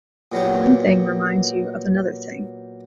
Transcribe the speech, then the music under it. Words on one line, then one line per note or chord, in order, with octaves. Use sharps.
One thing reminds you of another thing.
A#2 F#3 B3 G4